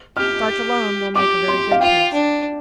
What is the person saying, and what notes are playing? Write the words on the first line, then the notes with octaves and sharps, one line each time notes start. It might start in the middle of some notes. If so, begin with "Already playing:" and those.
Starch alone will make a very good paste.
G4 F6
G4 D6
C6
F5
F4 G5
D4